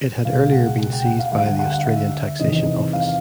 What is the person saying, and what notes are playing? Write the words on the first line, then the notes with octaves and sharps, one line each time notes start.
It had earlier been seized by the Australian Taxation Office.
C#2 B2 G#3 F5
F#5
F#5
G5
F#5
F5
D2 D3 G3 F5
F#5
F#5
F5
E5
E2 C3 D#3 D#5
F5